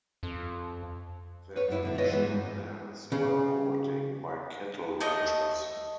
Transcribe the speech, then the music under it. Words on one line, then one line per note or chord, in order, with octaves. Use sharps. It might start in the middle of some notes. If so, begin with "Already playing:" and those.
Their traditional lands were overtaken by cattle ranchers.
F2
B4 C#5
F#2 E4
B2 D3 E4
F4 B4 C#5 D#5 E5
E3 G#3 B3
G#2
C#3
A3 D#5 C#6